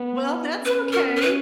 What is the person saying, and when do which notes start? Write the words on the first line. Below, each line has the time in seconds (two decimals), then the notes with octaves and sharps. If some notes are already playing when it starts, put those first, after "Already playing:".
Well, that's okay.
Already playing: B3
0.65 C#4 B4
0.93 A#4
1.17 A#4
1.21 B4